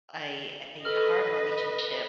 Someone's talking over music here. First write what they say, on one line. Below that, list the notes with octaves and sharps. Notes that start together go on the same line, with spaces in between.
I a hard relationship
A4 B4 D#5 F6